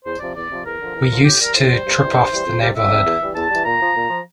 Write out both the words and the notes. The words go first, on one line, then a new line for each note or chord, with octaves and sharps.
We used to trip off the neighborhood.
E2 C5
C3 F3 D5
E2 D5
C3 F3
E2 A#4
D3 F3
E2
D3 F3
A2 G4
G3 A#4
A2 C5
G3
G2
E3 G3
G2
E3 G3
F2
C3 G3
F2 E5
C3 G3
E2
E3 G3
E2 A5
E3 G3
A#2 A#5
F3
A#2
F3